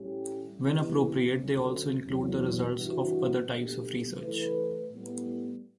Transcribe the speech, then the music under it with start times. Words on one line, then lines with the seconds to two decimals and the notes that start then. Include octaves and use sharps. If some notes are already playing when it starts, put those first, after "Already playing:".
When appropriate, they also include the results of other types of research.
Already playing: A2 G3 C#4 G4
0.60 E3 B3 E4 G4
1.31 D2 D3 F#3 A3 C#4
2.03 E2 B2 F#3
2.75 G2 E3 G3 D4 F#4
3.46 B2 A3 D4 G4
4.19 E3 A3 E4 B4
4.90 A2 G3 B3